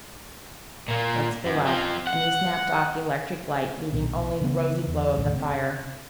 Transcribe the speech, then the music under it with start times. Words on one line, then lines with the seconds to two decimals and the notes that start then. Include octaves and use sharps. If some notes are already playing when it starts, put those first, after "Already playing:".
"Let's go up." And he snapped off the electric light, leaving only the rosy glow of the fire.
0.88 A#2 A#3
1.46 F#2
1.66 F3 C4
2.07 F#5
3.93 B1 A#2
4.41 C#3 E3 B3 C#4
4.87 E2
5.15 E1 A1 D#2
5.35 C3